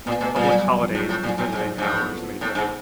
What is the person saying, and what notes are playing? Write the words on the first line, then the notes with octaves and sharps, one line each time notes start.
On public holidays the visiting hours may differ.
A#2 B3
B2 A3
A#2 G3
F#3
G3
F#3
F3
A2
A2
A#2 F#3
A2
G#2
G#2
A2 F3
F3
B3
C4
A2
G#2